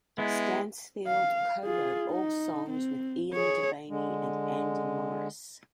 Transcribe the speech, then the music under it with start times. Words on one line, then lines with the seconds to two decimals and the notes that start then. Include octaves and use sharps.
Stansfield co-wrote all songs with Ian Devaney and Andy Morris.
0.18 G#3 B3 E4
1.07 F5
1.64 F4 G#4
2.11 D#4
2.70 C4
3.33 G#4 C#5
3.90 D3 G#3